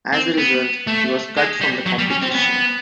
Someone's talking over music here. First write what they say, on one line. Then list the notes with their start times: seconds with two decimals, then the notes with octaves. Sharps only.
As a result he was cut from the competition.
0.13 C4
0.38 B3
0.87 A3
1.37 G#3
1.61 G3
1.86 F#3
1.98 G3
2.11 C#4
2.23 C4
2.35 B3